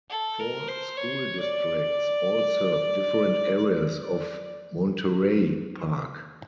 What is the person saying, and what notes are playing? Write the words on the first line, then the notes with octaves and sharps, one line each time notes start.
Four school districts all serve different areas of Monterey Park.
A4
A#4
C5
C#5
D5
D5
D5